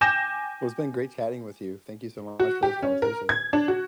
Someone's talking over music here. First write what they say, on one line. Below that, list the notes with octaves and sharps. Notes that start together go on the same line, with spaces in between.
Well, it's been great chatting with you. Thank you so much for this conversation.
G5 G#5 D6 G6 A#6 E7
F#4
G4
C#4
A#4
G#6
D4
F#4